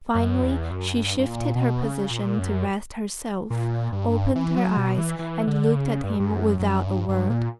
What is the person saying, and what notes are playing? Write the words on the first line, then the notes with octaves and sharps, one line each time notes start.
Finally she shifted her position to rest herself, opened her eyes, and looked at him without a word.
F#2
E2
F#2
G2
G2
A#2
B2
C#3
A#2
F#2
A#2
G2
E3
F#3
B2
E3
E3
D3
C#3
G2
G2
F#2
F#2
G2
G2
A#2